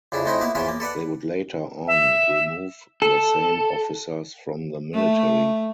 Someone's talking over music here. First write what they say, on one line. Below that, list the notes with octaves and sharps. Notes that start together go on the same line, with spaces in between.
They would later on remove the same officers from the military.
F2 C#3 D4 E4
F2 A3 C4 C#4 D#4 E4
A#3 B3 E4
E2 E3 F3 C#4 F4 E5
A#3
A4 B4 D5 F#5
E5
A4
A3